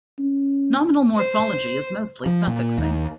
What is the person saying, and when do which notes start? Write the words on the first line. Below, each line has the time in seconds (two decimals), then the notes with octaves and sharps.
Nominal morphology is mostly suffixing.
0.19 C#4
1.16 C5
2.26 F3
2.47 A#2
2.78 D#2